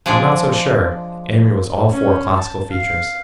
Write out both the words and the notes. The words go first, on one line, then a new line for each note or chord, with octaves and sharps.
"I'm not so sure." Amory was all for classical features.
F3 G#3 D4 G#4 D5
C#4
A5
F5